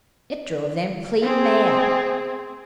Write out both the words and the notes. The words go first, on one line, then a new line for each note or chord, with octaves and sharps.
It drove them clean mad.
C4 G#4